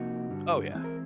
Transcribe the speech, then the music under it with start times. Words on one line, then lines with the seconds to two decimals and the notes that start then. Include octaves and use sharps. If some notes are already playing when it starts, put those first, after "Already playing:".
Oh, yeah.
Already playing: C3 F3 A#3 D#4 F#4
0.30 G2 D3 G3
0.74 E3 G#3 C4 E4
0.84 A#4